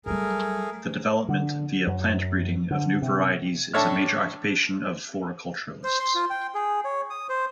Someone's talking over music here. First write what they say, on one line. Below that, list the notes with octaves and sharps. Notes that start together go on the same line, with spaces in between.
The development, via plant breeding, of new varieties is a major occupation of floriculturists.
F#3 G3 A3 G#4 A#4
D3
F#2
D3
C3
A2 D4 A4 C#5 E5 F6
C5
C6
F4
G5
G#4
C#5
D#6
C5